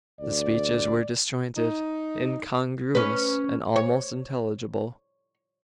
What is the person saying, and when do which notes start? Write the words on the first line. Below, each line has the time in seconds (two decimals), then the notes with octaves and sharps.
The speeches were disjointed--incongruous, and almost unintelligible.
0.20 D2 D5
1.56 D#4
2.95 C#4 B4
3.76 C#5